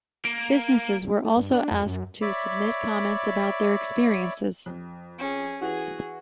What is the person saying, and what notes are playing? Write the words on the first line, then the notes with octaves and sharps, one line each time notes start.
Businesses were also asked to submit comments about their experiences.
A#3 D7
A3
G2
D4
F2
F#2
C#5 D5 E5 B5 D6
F2
C#4 G#4
E3 F#4 G#4